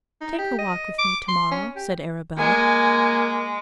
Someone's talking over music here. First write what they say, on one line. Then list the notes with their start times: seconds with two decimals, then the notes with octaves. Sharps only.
"Take a walk with me to-morrow," said Arabella.
0.21 D#4
0.38 G4
0.59 D#5
0.99 D6
1.28 C6
1.51 C#4
1.76 G4
2.38 G#3 A#3 G#5